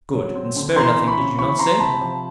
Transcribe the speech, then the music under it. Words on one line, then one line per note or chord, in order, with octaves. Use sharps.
"Good! and spare nothing, did you not say?"
F#3
C4
D3
E3 A#5 C6
C4
B5 C#6
C#3
E3 B5 C#6
C4 A#5 C6
C3 A5 B5
F3